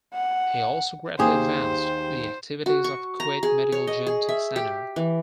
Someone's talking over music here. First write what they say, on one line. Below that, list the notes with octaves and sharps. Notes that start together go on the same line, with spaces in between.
He also greatly advanced the activities of Kuwait Medical Genetic center.
F#5
D#2 G4 G#4 C5
F#4
C#6
A#5
G#4
C#5
D#5
G#4
E5
G4
E3